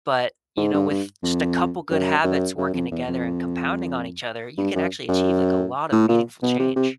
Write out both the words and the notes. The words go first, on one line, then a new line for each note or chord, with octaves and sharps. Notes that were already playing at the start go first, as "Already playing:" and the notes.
but, you know, with just a couple good habits working together and compounding on each other, you can actually achieve, like, a lot of meaningful change.
G#2
G2
G2
F2
F#2
F#2
F#2
F2
E2
F2
G2
F#2
F#2
A2
A#2
B2
C3
C3